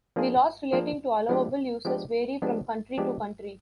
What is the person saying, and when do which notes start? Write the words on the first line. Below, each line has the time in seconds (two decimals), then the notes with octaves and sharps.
The laws relating to allowable uses vary from country to country.
0.16 F3 A#3 D4 F4 G#4
0.72 F3 A#3 D4 F4 G#4
1.29 F3 G#3 B3 D4 G4
1.85 F3 G#3 B3 D4 G4
2.42 F3 G#3 B3 D4 G4
2.98 F3 G#3 B3 D4 G4